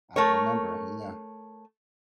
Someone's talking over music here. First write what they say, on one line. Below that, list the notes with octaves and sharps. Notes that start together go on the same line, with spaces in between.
I remember, yeah.
A3 A#4 C#5